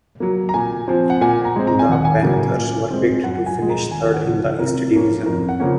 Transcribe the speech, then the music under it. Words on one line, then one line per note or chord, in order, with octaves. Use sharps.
The Panthers were picked to finish third in the East Division.
F#3 A#3
A#5
A#2 G#5
F3 C4
F#5
A#2 G#5
A#5
G#3 C4
A#5
G#5
D#2 F#5
G#5
C#3 F#3 A#3
A#2
G#3 C4
F#2 F#5
G#5
F3 G#3
A#5
D#2 G#5
F#5
C#3 F3
C3 A#4
F3 A#3 C#4
F2 A#4
F#5
C#3 F3 A#3 C#4